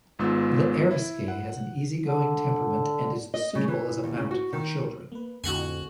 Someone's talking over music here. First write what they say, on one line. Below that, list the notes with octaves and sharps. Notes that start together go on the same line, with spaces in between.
The Eriskay has an easy-going temperament and is suitable as a mount for children.
G#1 G#2 B3 F4 E6
E4
F#5
D3
D#5
C#3
E3
D#2
C#3
F#4
D#3
A#3 B4
F2 A2 D3 E4 F#4 F#5 G#5